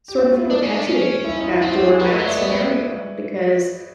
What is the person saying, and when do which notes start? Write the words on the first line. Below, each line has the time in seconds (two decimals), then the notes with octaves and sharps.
sort of perpetuating that doormat scenario because,
0.08 G4
0.18 F#4
0.29 F4
0.39 E4
0.50 D4 D#4
0.62 C#4
0.74 D4
0.87 C#4
1.25 E4
1.37 D#4
1.44 F4
1.50 E4
1.62 C4 E4 F#4
1.74 F4 G4
1.87 F#4 G#4
1.99 A#3 B4 C#5
2.09 A3 C#5 D#5
2.18 G#3
2.24 A3 D5 E5
2.37 B3 C#5 D#5
2.49 C4 B4 C#5